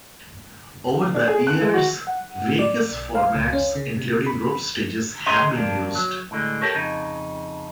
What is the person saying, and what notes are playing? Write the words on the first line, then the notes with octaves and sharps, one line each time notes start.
Over the years, various formats, including group stages have been used.
D4
G#4
F#6
G#3
F#4
F#5
A2
D5
B1
F5
C#2
C#4
C#3
C3
B5
C#4 G#4 D#5 A#5 C6
F2 A#3 D4
F#3
A2 D3 G#3
G4 A4 A#4 C#5
F2 C#3 D#4